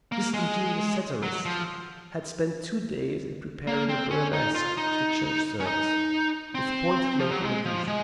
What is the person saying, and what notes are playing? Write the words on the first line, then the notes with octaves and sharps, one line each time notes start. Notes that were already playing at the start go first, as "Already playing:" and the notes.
This ingenious satirist had spent two days in preparing a burlesque of the Church service, with pointed local allusions.
A#3
G#3
F#3
F3
A#3
C4
C#4
D#4
F4
D#4
C#4
D#4
C4
F3
F#3
G#3
F3
G#3